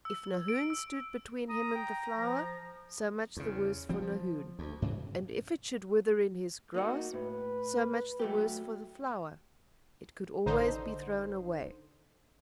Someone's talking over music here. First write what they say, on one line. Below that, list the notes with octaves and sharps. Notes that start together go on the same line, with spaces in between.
If Nahoon stood between him and the flower, so much the worse for Nahoon, and if it should wither in his grasp, so much the worse for the flower; it could always be thrown away.
E6
D7
E6
A#5 D#6
G5
F3
E2 C#3
F3 G3 C4
F3
D2
G#2 C#3 E3
A#3 D#4 F#4
A2 B4
F#3 A3 G4
A1 D3 D#4 C5